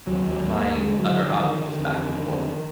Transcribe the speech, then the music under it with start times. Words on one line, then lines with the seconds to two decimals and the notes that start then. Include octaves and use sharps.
my other hobbies, just back and forth.
0.07 D#2 F#3
0.24 D#2
0.30 F#3
0.41 D#2
0.53 A#3
0.59 D#2
0.76 D3 G#3
0.94 D3
0.99 F#3
1.10 D3
1.22 F3
1.27 D3 F#3
1.36 F3
1.44 D3 D#3
1.62 D3
1.79 F2
1.96 D3
2.13 D3
2.31 F2